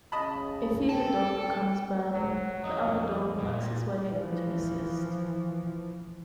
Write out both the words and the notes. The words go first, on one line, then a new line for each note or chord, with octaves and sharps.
If either dog becomes birdy, the other dog works its way over to assist.
C#3 D#5 A5 B5
G4 A4 G5
F#3
F2 C#5 D#5
A#2
E3 F3